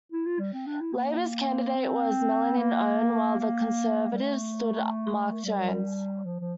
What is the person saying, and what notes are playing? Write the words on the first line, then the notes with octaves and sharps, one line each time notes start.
Labour's candidate was Melanie Onn, while the Conservatives stood Marc Jones.
E4
F4
G3
C4
D4
E4
A#3
C4
A#3
A#3
G3
A3
G3
F3
F3